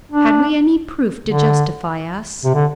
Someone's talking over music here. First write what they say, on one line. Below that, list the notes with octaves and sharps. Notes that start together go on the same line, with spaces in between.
Had we any proof to justify us?
D4
D3
C3
D3